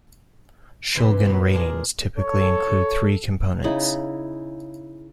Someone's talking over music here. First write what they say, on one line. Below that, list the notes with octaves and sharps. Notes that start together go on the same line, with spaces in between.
"Shulgin Ratings" typically include three components.
G#2 C3 E3
A#2 B3
D4 F4 G#4 A#4
A4 C#5
C#3 D#4 E4 B5